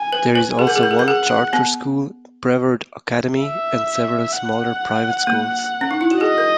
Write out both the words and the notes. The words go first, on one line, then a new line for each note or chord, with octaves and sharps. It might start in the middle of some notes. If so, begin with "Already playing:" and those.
There is also one Charter School, Brevard Academy, and several smaller private schools.
Already playing: G#5
B4
B4
G#4 F#5
A#4
G#4
A#4
G#4
A#4
G#4 F#5
B3
E5
F#5
A#3
C#4
D#4
E4
F#4
G#4 D#5
A#4